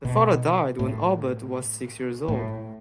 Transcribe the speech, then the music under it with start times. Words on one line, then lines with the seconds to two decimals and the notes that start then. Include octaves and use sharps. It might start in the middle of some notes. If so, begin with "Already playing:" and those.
The father died when Albert was six years old.
0.05 B2
0.79 A2
2.28 A2